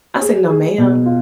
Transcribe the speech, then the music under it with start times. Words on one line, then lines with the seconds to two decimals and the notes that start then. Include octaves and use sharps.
I said, "No, ma'am."
0.22 G#4
0.50 G#4
0.78 B2
1.06 F4